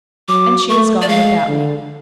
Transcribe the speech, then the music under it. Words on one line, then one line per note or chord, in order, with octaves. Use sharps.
And she is gone without me.
F#3 D6
A3 C#6
D5
G#3 F5
D3